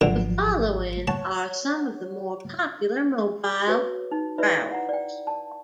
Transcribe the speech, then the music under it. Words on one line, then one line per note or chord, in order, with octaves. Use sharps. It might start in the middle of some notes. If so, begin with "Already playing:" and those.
The following are some of the more popular mobile browsers.
G#1 D3 F3 F#3
C#5 F#5 A5
F#4 G#4 B4 C#5
D#4
E4 B4 C#5 D5 E5 B5
F#5 A#5
D5 G5
D5 A5